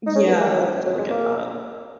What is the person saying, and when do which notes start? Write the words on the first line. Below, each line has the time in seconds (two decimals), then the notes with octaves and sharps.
Yeah, definitely get that.
0.07 D#4
0.16 C#4
0.28 B3
0.40 A#3
0.51 F#3
0.60 F3
0.86 F#3
0.98 G#3
1.10 A#3